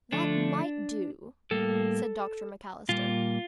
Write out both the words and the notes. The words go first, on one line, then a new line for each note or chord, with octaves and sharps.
"That might do," said Dr. McAllister.
D3 F3 A3 D4
A2 G3 A#3 A4
A#2 G3 A#3 F4